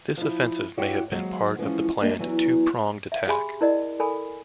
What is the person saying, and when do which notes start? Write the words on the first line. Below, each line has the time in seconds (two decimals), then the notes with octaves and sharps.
This offensive may have been part of the planned two-pronged attack.
0.17 F3 E4
0.77 E4 F#4 G4 C#5 E5
1.11 D#2 F#3 G#3 C5
1.59 E3 F3 G#3 C#4 F4
2.01 G3 G#3 A#3 D4 A#4 D#5
2.19 E2 G#2 E3 F#3
3.12 E5 F5
3.27 G4 G#4 G#5 B5 C6
3.61 E4 A#4 D5 D#5
4.00 A4 A#4 G#5 B5